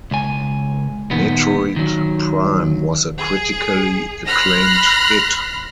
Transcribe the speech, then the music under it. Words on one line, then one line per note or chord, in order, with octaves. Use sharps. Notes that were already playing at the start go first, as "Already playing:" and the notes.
"Metroid Prime" was a critically acclaimed hit.
C#2 G#5
A#2 D#3 B3
D#3 F#3
G#4
B5 C6 F6 F#6 A#6